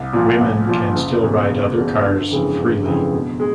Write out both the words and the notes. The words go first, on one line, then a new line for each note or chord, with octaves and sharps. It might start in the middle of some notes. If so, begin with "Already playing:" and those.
Women can still ride other cars freely.
Already playing: C2
A#2 F3
C2
A#2 F3
F#1
E2 B2 G#3
F#1
E2 B2 G#3
G1
F2 C#3 E3 G#3
G1
F2 C#3 E3 G#3
B2
G#3